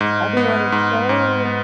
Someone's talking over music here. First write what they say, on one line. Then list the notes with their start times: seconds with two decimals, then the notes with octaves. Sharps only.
everyone is so,
0.01 G#2
0.37 B3
0.72 G#2
1.09 G#2
1.45 B3